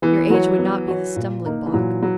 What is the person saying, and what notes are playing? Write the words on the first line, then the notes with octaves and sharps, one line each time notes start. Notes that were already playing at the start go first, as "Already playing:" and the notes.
"Your age would not be the stumbling block."
E3 B3
F#3 F#4 C#5
B3
F#4 C#5
A#2
A#3 D#4 A#4
E3
A#2 F#3
F#3